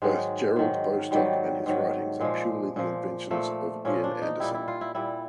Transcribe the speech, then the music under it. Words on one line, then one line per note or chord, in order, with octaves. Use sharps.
Both Gerald Bostock and his writings are purely the inventions of Ian Anderson.
G#2 D#3 F#3 G#3
G#2 D#3 F#3
G#2 D#3 F#3 G3
G#2 D#3 F#3
A#2 F3 G#3
A#2 F3
A#2 F3 A3
A#2 F3 C#4
D4
D#4
A#2 G3 E4
E4
F4
E4
A#2 G3 E4